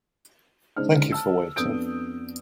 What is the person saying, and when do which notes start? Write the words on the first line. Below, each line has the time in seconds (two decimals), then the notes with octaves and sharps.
Thank you for waiting.
0.76 C#3 G#3 D4 D#4 C5 F6
1.12 A5 E6
1.56 F2 B3 D4 D#6 G6 D7